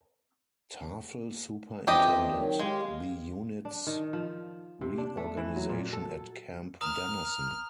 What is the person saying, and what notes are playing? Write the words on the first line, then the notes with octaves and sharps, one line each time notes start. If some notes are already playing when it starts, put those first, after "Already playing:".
Tafel superintended the unit's re-organization at Camp Dennison.
F2 E3 C4 D4 G4 D#5
D#3 F#3
G#3 G4 F5
D4
D#3
F3
C3
D4
A3
E3
F#3
A#2
A4
A#5 D#6 F6